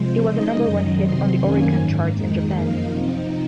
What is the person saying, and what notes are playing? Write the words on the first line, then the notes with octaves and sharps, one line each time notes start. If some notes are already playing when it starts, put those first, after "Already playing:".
It was a number-one hit on the Oricon Charts in Japan.
Already playing: C3 F3 G#3 C5
C#3 G#3 D#4 D#5
F#2 D#3 F#3 D#5
C3 F#3 C4 C6
F#2 D#3 A#3 C#4 G#5
G#2 D#3 A#3
F2 D#3 G#3 D#4
F#2 F3 A#3 D#4 F5
C3 F3 C4 D#4